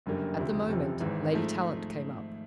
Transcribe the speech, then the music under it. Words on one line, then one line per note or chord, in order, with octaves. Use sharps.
At the moment, Lady Tallant came up.
F#1 F#2 D3 G3 A#3
E1 D2 C3 F3
F1 E2 C3 F3
G#1 G#2 E3
G#2 F3 A3